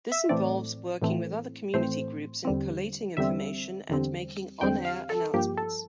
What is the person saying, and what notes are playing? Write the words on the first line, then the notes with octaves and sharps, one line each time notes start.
This involves working with other community groups in collating information and making on-air announcements.
E5
A2 E3 A3 C4 D5
A2 E3 A3 C4
A2 E3 A3 C4 C5
E2 D3 G3 C4
E2 D3 G3 C4 E5
E2 D3 G3 C4
E2 D3 G3 C4 G5
F5
A4
G2 F3 A#3 G4
A4